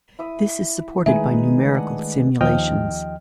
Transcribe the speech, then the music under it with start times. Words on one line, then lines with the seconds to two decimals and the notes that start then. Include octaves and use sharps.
This is supported by numerical simulations.
0.19 E4 E5 D#6
1.06 D#3 G#3 A3 D#4 G#4 B4 E5
1.74 D4 D#5 F#5
2.41 D#2 F3 D#5 G5 F6